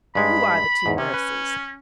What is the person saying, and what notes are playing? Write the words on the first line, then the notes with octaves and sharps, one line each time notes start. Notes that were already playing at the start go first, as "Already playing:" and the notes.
'Who are the two nurses?'
G2 G#3 D#4 B5
E2 G#2
C3 C#4
B4